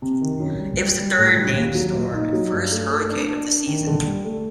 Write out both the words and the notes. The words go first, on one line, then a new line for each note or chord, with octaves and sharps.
It was the third named storm and first hurricane of the season.
C3
D#3
F#2
G3
G3
G3
A2
G3
D#2
F#3
A#2
D#4
F#3
G2
A3
A3
D4
D4
D4
D#3
D3
G3
A3